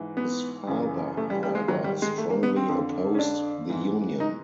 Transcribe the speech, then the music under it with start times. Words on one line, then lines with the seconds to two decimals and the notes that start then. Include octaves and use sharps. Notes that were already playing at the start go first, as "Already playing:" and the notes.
His father, however, strongly opposed the union.
Already playing: G#2 E3
0.17 B3
0.67 F#2 C#3 E3
1.17 A3
1.30 G3
1.43 G3
1.55 G#3
1.68 G#2 D#3 F#3
1.84 G3
2.02 G#3
2.18 A3
2.30 A#3
2.43 B3
2.56 C4
2.69 F2 D3
3.15 C#4
3.19 D4
3.70 G#2 E3
4.20 D#4